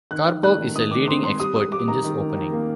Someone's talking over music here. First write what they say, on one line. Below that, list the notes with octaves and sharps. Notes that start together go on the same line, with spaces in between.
Karpov is a leading expert in this opening.
D#3 F#6
D#3
A3 F#6
D#3
D#3 D#6
D#3 D6
C4 C6
C4 C6
G3 D#6
G3 D#6
G3 D6
D#3 A#5
D#3
D#3
D#3
A#3